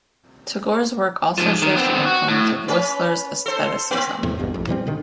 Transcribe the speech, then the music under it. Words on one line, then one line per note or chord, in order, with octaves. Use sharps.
Tagore's work also shows the influence of Whistler's Aestheticism.
G#2 F3
D#3
B3 C4
F#4
A2
C#4 B4
A4 C5
A#3 C4
E2 A2 C3
G#1 E2 G2 B2
A1 F2
A2 E3 G3 C4
B2 D3 D#3